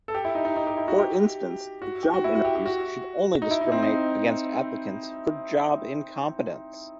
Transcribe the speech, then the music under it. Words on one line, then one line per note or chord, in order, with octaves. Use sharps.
For instance, job interviews should only discriminate against applicants for job incompetence.
A4
G4
E4
D#4
D#4
D#4
G4
E4
F#4
G4
F#4
G4
F#4
E4
F#4
G4
G4
F#4
D#4
E4
D#4
C4
D#4